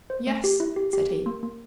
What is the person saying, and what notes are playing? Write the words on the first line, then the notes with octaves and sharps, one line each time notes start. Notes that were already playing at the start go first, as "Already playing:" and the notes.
"Yes," said he.
C5
A3
G4
E4
G4
G4
G4
A#3
A#3